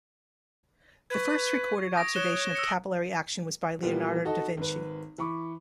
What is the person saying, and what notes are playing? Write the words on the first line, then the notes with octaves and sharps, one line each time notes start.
The first recorded observation of capillary action was by Leonardo da Vinci.
B4 C#6 G#6
D#6 A#6 D7
C#5 F#6 E7 G7
E6 C#7
A#2 E3 F3 G3 A#3 B3
D#4 F#4 A4 D#5
G#1 B4
E3 B5 C#6 D6